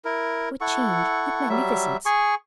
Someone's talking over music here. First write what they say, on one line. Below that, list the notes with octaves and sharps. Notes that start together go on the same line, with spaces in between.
What change--what magnificence!
E4 A#4
E4 A4 F#5 C#6
F#3 G3 E5
G#4 G#5 C#6